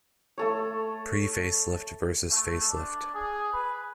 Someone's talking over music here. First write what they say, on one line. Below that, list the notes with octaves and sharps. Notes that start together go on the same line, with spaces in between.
Pre-facelift versus Facelift.
A3 A4 C#5
A3
D4
G#4
B4